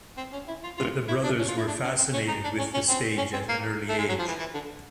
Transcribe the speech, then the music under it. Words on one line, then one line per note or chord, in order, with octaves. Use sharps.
The brothers were fascinated with the stage at an early age.
C4
C#4
E4
F4
F4
E4
D4
C#4
F4
E4
D4
C#4
C4
C#4
D#4
D4
C#4
C#4
C4
C#4
C4
A#3
A3
G#3
F#3
F3
E3
E3
D3